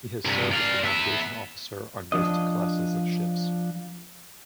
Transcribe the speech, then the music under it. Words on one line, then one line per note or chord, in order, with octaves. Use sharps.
He has served as the navigation officer on most classes of ships.
G2 C3
D5 F5
B3 E5
F3 D4 D#5